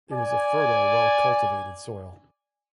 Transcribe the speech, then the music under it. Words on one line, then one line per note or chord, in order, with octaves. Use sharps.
It was a fertile, well-cultivated soil.
D5 G#5